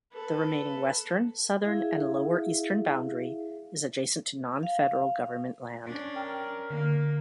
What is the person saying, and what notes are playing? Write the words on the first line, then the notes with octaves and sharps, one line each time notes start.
The remaining western, southern, and lower eastern boundary is adjacent to non-federal government land.
A4 B4
E4 G#4 E5 F5
F5
C#4 D4
A#4 G5
D3 A#3